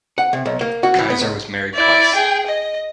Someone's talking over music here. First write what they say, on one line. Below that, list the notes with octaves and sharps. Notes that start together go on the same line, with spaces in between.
Kaiser was married twice.
F#5
C3
B1
A#3
F#4
E3
B3
C#2
E4 D5
G#4 G5
D#5